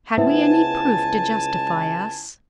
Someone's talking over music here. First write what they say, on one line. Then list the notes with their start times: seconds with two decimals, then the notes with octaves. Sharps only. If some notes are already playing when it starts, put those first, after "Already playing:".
Had we any proof to justify us?
0.17 C#2 B3 C4 E4 G#5 A5